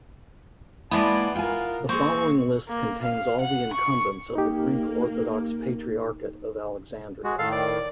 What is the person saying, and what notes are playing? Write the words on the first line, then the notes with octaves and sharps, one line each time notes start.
The following list contains all the incumbents of the Greek Orthodox Patriarchate of Alexandria.
E3 G#3 A#3 B3 E4 D5 A5
F4 A#4 G5 G#5
A#3 C4 G#4 C#6
A#3
F5
F#5
C#6
A#3 D#4 G4
G#3 F#4
A2 D#3 A4 F5
D5